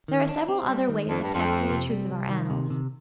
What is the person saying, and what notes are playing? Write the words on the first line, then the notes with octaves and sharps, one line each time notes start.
There are several other ways of testing the truth of our annals.
D#3
D4
C4
G3
D#3
F2 D4
G2
D4
F2
A3
C3
G3
C2
D#3
C3
C3